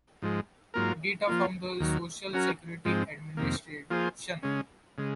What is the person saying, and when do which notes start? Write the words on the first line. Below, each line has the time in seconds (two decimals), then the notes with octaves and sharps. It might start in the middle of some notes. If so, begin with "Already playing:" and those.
Data from the Social Security Administration.
0.22 G#2 F3 G#3
0.74 G#2 F#3 A#3 F4 A#4
1.27 F3 A#3 F4
1.80 D#2 D#3 F#3
2.33 F#3 C#4 F#4 A#4
2.85 G#2 F3 G#3 C4
3.37 F2 C3 D#3 A#3
3.90 F3 A#3 F4 G#4 C5
4.43 C#3 G#3 C#4
4.98 C#3 G#3